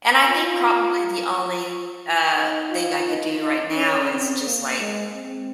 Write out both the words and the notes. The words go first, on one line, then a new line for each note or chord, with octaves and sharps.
And I think probably the only, uh, thing I could do right now is just like
F4
D#4
F4
D#4
D#4
C#4
C4
A#3
G#3
C4